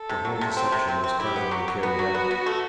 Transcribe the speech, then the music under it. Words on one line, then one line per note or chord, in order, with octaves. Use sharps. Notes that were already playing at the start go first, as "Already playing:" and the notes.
The whole deception was cleverly carried out.
Already playing: A4
C3
F#3
C3
C4
C3
C4
C4
E4 G4
B3
F#3
F#3
B3 F#4
F#3
B3
B3
A3